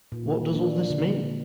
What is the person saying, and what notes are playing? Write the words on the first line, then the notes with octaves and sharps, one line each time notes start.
What does all this mean?
A#2
F3 A#3 D4
D3